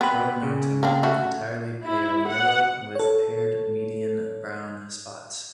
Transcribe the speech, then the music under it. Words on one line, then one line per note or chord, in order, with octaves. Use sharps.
Pronotum entirely pale yellow with paired median brown spots.
B3 C4 B5
C#3
A#3 C4 D4
A3 F#4
E4
F#5
A4 C#5